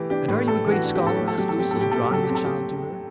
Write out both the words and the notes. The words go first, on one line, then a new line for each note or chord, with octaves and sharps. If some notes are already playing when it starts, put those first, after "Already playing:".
"And are you a great scholar?" asked Lucy, drawing the child to her.
Already playing: E3 A3 G4
D4 G4
A2
A3 A4
E3
F#4
D4
G4
A2 A4
A3 G4
A4
F#3 G4
A4
C4 G4
A2 A4
G4
A3 A4
G4
F#3 A4
G4
C4
A4
G4